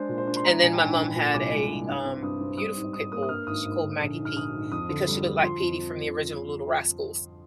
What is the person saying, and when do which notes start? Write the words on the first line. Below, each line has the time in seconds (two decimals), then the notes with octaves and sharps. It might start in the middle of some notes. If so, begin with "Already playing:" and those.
And then my mum had a, um, beautiful pit bull that she called Maggie Pete because she looked like Petey from the original Little Rascals.
Already playing: G#3 D4 C5
0.09 A#2
0.18 C5
0.27 D4
0.36 C6
0.44 G#3 A#5
0.63 A#1 G#5
0.74 G5
0.80 G#2 G#5
0.97 A#1
1.16 A#2 G#5
1.34 C2 D6
1.52 G#3
1.70 C2
1.88 G2
2.04 C4
2.22 G2 D#6
2.41 C4
2.58 G3 D#6
2.76 G#2
2.93 G#2 D#6
3.12 A#3 D#6
3.23 D#6
3.29 G2 F6
3.47 G#1 D#6
3.66 G#1
3.82 D3
4.01 A#1
4.19 G#2
4.25 F6
4.36 A#1 D#6
4.53 G#2
4.72 F2 D#6
4.89 D3
5.08 G3
5.25 D3
5.43 F3 C6
5.61 F2